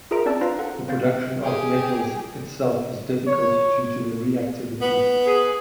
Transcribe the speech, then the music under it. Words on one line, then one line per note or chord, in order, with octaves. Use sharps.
The production of the metals itself is difficult due to their reactivity.
F4 G#4 A#4 E5 A#5 D7
C4 C#4 D5 A5 E6
D4 F4 B4 C5 F5 A#5
A4 F#5
C4 C5 F5 G6 A6
G4 G#4
C#5
B3
G#4